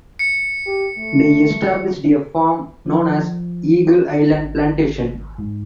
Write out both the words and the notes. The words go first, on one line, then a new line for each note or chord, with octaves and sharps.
They established a farm known as Eagle Island Plantation.
C#7
G4
A3
F3
G#1
G#2